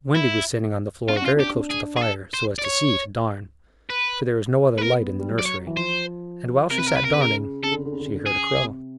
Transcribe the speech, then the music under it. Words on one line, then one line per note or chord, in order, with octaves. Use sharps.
Wendy was sitting on the floor, very close to the fire, so as to see to darn, for there was no other light in the nursery; and while she sat darning she heard a crow.
E4
D4 F4
F#4
C#4 F4
D4 G4
D4
G#4
G#4
A4
C5
D5
C#5
B4
A#3
B4
B3 A#4
G3
F#3
D5
C#5
E3
F3 C5
C3 A#4
B4
A#4
B4
A#4
B4
C#3 A#4
C#3 A4
D3
C#3
D3
C#3
D3
C#3
D3
C#3
G#4
C3